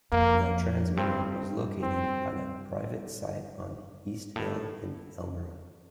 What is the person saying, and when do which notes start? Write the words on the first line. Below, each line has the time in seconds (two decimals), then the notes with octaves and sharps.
The transmitter was located at a private site on East Hill in Elmira.
0.12 F2 A#3
0.97 G2 C4
1.82 C4
4.36 A2